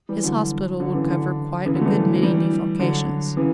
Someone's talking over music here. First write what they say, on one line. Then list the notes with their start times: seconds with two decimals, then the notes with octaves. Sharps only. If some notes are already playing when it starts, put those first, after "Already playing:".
His hospital would cover quite a good many defalcations.
0.09 E3 G3
0.23 D3 F#3
0.80 D3 F#3
0.94 C#3 E3
1.09 D3
1.66 C#3 E3
1.75 D3 F#3
1.81 A3
1.86 E3 G3
2.15 F#3
2.23 E3 G3
2.79 D3 F#3
3.37 C#3 E3